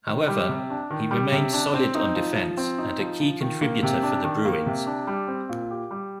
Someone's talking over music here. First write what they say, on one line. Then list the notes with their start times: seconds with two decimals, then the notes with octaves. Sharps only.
However, he remained solid on defense and a key contributor for the Bruins.
0.07 D#3
0.28 G3
0.49 C3
0.70 D4
0.91 D#3
1.11 G3
1.32 C3
1.53 D4
1.74 C4
1.95 D#4
2.15 F3
2.36 F3
2.57 C4
2.78 D#4
2.99 F3
3.20 F3
3.41 D#3
3.61 A#3
3.83 C3
4.03 D4
4.24 D#3
4.45 A#3
4.66 C3
4.86 D4
5.07 G3
5.28 C4
5.49 A#2
5.70 G4
5.91 G3